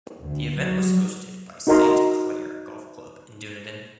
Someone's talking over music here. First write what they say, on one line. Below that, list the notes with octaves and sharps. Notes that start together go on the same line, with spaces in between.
The event was hosted by St Clair Golf Club in Dunedin.
D2
F#3
D#4 F#4 A#4 D#5 A#5 C6